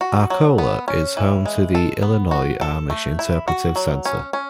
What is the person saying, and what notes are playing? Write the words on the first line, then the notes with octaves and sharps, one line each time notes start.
Arcola is home to the Illinois Amish Interpretive Center.
F#4
F#3
B3
C#4
E3
G#3
A4
B3
F#4
A4
A3
E4
F#4
F#3
C#4
C#4